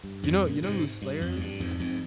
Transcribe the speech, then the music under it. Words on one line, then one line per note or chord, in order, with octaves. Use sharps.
You know you know who Slayr is?
G2
F2 G#2
G2 A#2
G#2 C3
G2
F2
G#2
G2
F2 G#2
F2 G#2